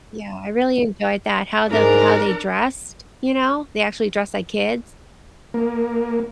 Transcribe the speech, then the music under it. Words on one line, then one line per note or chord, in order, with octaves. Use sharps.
Yeah, I really enjoyed that, how the how they dressed, you know? They actually dress like kids.
G#2 D4 A#4
A#3